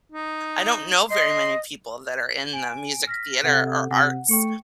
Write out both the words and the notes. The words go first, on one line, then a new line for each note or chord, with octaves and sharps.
I don't know very many people that are in the music theater or arts
D#4
D#5 C6
G#5 D7
F6 A#6 B6
C3 A4 F#5
C3 F#5
A3 G5 C#6 C#7